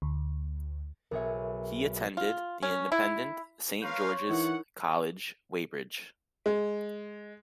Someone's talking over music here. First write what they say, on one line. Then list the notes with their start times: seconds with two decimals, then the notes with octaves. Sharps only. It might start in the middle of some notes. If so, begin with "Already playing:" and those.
He attended the independent Saint George's College, Weybridge.
0.02 D2
1.11 B1 G#4 A#4 C#5 E5
2.17 F4
2.63 C#4
2.92 E4
3.82 A#4 B4 C#5 F5 C6 G6
4.29 E3 D#4 E4 A#4 F#5
6.46 G#3